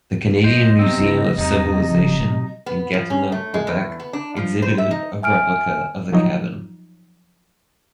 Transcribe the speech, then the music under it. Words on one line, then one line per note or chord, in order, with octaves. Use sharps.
The Canadian Museum of Civilization in Gatineau, Quebec, exhibited a replica of the cabin.
F#3 C5 D#5
C3 B3 C4
C#3 A3 E4
E2 C3 F#3 G#3 D#4
D#1 C#3 F3
B2 F#3 A3
B3
F3
C#4
A3
G#3
E2
B3
D4
F3
C5
E5
D#4
E5 G#5 F6 D7
F3 F#3 D#4